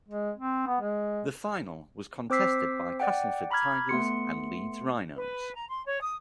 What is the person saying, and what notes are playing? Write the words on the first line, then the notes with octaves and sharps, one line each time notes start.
The final was contested by Castleford Tigers and Leeds Rhinos.
G#3
C4
B3
G#3
C4 C5 D6 E6 B6 C7
D5 F#5 G5
A#5 B5 D6 F6 G#6
A3 B3 C6 C#7
B4
A#5
C6
C#5
D#6